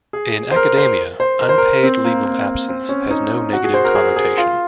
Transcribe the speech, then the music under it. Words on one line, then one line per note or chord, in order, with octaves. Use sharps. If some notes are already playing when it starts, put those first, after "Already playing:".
In academia, "unpaid leave of absence" has no negative connotation.
G#4
C5
A#4
C5
C5
A#4
C5
A#4
C4
A#3
A#3
C4
C#4
D#4
F#4
G#4
C5
A#4
G#4
G#4
F4